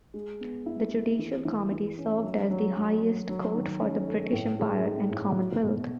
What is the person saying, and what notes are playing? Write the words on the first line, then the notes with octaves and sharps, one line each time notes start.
The Judicial Committee served as the highest court for the British Empire and Commonwealth.
G#3
B3
E4
G#3
E3
E3
E3
C#4
F#3
F#3
F#3
F#3
F#3
D#3
C#4
A3
A2
G#3
D#4
A2
F#4
B2